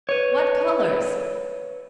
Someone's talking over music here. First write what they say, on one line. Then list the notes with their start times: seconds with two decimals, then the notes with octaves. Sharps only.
What colours!
0.09 B4 C#5